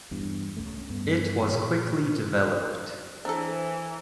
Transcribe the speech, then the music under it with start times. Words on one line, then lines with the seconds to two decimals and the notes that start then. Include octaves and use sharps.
It was quickly developed.
0.11 E2 G2
0.57 C#2 C#3 A3
0.90 G2 B3
1.49 A#2
3.25 E3 D4 A4 C5 A#5 E6